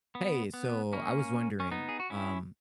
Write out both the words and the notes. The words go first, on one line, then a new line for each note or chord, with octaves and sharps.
Hey, so I was wondering, um,
B3
B3
A#3 C#4
C#4
B3 D#4
G#4
F#4
C#4 E4